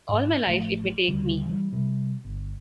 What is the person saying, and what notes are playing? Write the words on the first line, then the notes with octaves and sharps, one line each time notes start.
All my life it may take me!
G#2
A1 F3 A3
D2 C#3 G3
E3 F#3 G3
C3 G3
G1